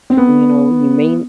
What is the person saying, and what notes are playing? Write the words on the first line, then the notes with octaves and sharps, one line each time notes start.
And, you know, you may
C4
B3